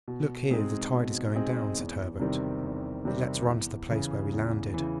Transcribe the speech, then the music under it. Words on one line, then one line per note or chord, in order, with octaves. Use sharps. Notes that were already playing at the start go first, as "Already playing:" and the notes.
"Look here, the tide is going down," said Herbert; "let's run to the place where we landed."
B2
G#3 C4 D#4 G#4
B2
G#3 C4 D#4 G#4
E2
C3 D#3 G3 C4
E2
C3 D#3 G3 C4
E2
C#3 E3
E2
C#3 E3